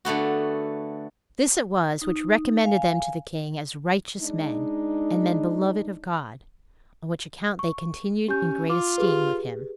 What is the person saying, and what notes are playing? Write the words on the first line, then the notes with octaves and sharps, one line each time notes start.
This it was which recommended them to the king as righteous men, and men beloved of God, on which account they continued in great esteem with him.
D3 A3 B3 F#4
D#4
F5 G#5
G#3 D4 D#4
C#6
C#4 G4 G6
F4 D6
G4 G#4 B4